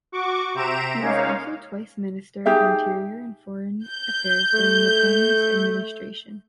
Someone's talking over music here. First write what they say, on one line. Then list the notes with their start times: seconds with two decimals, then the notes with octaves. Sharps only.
He was also twice Minister of Interior and Foreign Affairs during the Bulnes administration.
0.12 F#4 C#6 D6
0.54 C3 C5 E5 A#5 D7 E7
1.00 G#3 A#3 C#4 D#4 C#5 F5
2.46 D#4 G4 G#4 E5
3.87 G6
4.54 A3